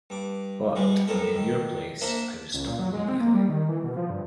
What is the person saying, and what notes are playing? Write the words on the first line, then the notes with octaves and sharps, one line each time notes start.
But, in your place, I would stop immediately!
G2 D6
B2 G3 G#3
B1 F2 A2 A4 A#4
D#3
A#3 D4 C5 E5 F#5 A#5
C#2
A#2
F#3
G#3
C4
A#3
G3
D#3
E3
B2
F3
G2